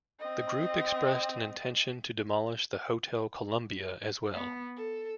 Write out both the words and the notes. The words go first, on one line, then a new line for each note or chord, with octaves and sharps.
The group expressed an intention to demolish the Hotel Columbia as well.
C4 D#5
B3
A4